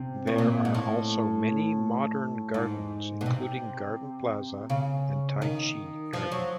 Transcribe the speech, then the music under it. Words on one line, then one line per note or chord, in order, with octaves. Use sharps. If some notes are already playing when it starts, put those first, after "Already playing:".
There are also many modern gardens, including Garden Plaza and Tai Chi Garden.
Already playing: C3
A2
A#2
G#2
A2
G#2
B2
C3
C#3
D#3
F3
F#3